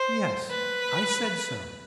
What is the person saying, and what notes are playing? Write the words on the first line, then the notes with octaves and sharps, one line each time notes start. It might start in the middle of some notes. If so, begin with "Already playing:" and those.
'Yes, I said so.
Already playing: C5
B4